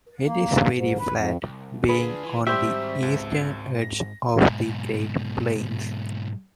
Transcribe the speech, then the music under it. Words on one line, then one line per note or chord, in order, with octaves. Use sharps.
It is very flat, being on the eastern edge of the Great Plains.
A#3
G#2
B4
F2
C2
D2 D4 F4 G#4 B4
E3
G#2 G3 C4 G4 C5 E5 G5 C#6
C#2
A#6
G#2 B2